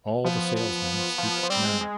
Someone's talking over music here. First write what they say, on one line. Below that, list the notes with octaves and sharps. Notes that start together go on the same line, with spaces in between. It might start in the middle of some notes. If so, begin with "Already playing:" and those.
All the salesmen speak Nana.
F3 B3
B3
F3
F3
G3 C4
G#3
G#3